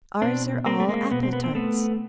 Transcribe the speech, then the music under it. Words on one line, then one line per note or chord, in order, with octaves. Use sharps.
Ours are all apple-tarts.
B2 C4 D4
A#3 C4
A3
G#3 A#3
B2 B3
C4
B3
C4
A3 B3